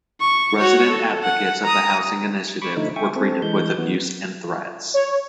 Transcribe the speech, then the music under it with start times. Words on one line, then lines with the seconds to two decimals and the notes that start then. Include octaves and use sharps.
Resident advocates of the housing initiative were treated with abuse and threats.
0.21 C#6
0.58 F#4 C#5
0.90 A4
1.23 F#5
1.64 A#5 D#6
2.62 B5 C#6 D6
2.77 D3 F3 A3 D#4
2.96 E5 G5 G#5 C#6
3.16 C4 A4
3.42 E3 G#3 G6
3.78 E3 B3
4.94 C#5